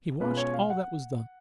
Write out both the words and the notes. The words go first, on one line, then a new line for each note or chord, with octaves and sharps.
He watched all that was done.
B2 G#3 C#4 F4 B4
C#5
F5
F#5